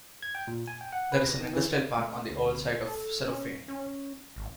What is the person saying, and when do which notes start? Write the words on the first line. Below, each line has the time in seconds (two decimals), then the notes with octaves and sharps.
There is an industrial park on the old site of Cellophane.
0.23 G#6
0.35 G5
0.47 A#2
0.68 G#5
0.81 G5
0.93 F#5
1.12 B4
1.24 A#6
1.40 D#3
1.53 E3
1.98 A3
2.30 D2
2.86 A4
3.26 C#4
3.68 C#4
4.36 G#1